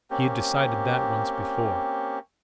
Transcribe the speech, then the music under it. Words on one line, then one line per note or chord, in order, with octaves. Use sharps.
He had decided that once before!
A#3 C4 C#4 G4